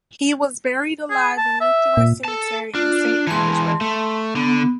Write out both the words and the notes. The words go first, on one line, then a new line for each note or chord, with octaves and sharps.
He was buried in the Lutheran cemetery in Saint Petersburg.
G#4
A5
E5
A#2
A4 A5
D4 F4
E3 G#3 A5 C6
A3
D3 B3